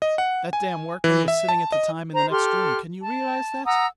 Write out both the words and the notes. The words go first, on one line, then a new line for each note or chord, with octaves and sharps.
That damned workman was sitting at the time in the next room--can you realise that?
D#5
F#5
G#5
E3
E5
A5
D#5
C5 A#5
G4 A4 C6 F6
A5
F#5 A#5 D#6 E6